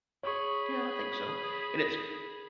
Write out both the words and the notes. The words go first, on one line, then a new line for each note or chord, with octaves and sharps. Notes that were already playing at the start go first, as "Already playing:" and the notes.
Yeah, I think so, and it's b
G#4 C#5 B5 C#6